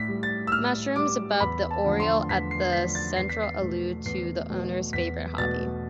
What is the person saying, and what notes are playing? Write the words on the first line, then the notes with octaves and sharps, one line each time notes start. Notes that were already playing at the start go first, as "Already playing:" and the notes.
Mushrooms above the oriel at the center allude to the owner's favorite hobby.
Already playing: A2 B6
G3
A6
E6
A2 F6
G3 D6
E2 B5
A5
D3 F3 A3
C6
E2 B6
C7
C7
D3 F3 A3 B6
A6
E2 C7
B6
C7
B2 A3
E2 C7
B2 A3
E2 B6
B2 A3 A6